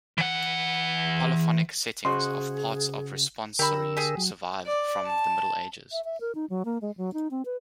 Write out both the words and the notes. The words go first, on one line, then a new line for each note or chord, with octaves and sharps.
Polyphonic settings of parts of responsories survive from the Middle Ages.
E3 F#5
C#3 F#4 G#4 C5 D#5 C6
D3 G4 A#4 B5 E6
G4 G#4
F#3
D5
A5
E5
E5
A#4
D#4
F#3
A#3
G#3
F#3
D#4
C4
B4